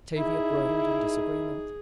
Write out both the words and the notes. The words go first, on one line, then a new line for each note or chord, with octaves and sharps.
Tavia groaned in disagreement.
D#4 E4 G#4